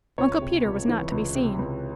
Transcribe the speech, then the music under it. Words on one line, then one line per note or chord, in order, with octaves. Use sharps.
Uncle Peter was not to be seen.
C#2 C#5
C3
C#2
E3
C#2
C3
C#2